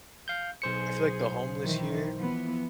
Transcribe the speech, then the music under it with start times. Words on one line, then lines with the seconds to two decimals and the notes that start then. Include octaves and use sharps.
I feel like the homeless here
0.28 F5 G6
0.62 B1 G#4 C5 C#7
1.63 D#3 E3
2.17 E3 F3 B3